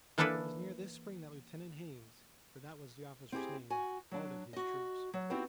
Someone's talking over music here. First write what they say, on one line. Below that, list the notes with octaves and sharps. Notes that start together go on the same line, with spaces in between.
It was near this spring that Lieutenant Haines, for that was the officer's name, halted his troops.
E3 A#3 D4 E4 A4 B4
C4 E4 G4 G#4
F#4 G#5
F#3 D4
F#4 D#5
F#3
B3 C4 D#4 E4 F#4 G4